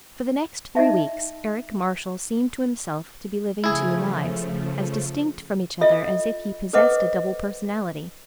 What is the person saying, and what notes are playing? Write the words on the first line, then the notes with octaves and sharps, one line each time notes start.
For the next three weeks Eric Marshall seemed to himself to be living two lives, as distinct from each other as if he possessed a double personality.
D#4 D#5 E5 A5
C#3 F3 A3 E4 G#4
F4 A4 D#5 E5
A4 B4 C5 D#5 F#5 D6